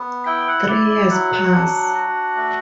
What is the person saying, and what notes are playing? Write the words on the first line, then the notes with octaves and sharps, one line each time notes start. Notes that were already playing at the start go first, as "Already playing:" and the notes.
Three years pass.
Already playing: B3
E4 G5
F#5
E4 D5
D5
F#3 F#5
D4
F#4
A3